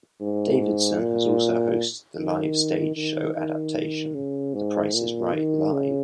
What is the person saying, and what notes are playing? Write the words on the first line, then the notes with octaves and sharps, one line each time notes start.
Davidson has also hosted the live stage show adaptation, The Price Is Right Live!
G#2
A#2
D#3
D#3
D#3
C#3
G#2
A#2
D#3
C#3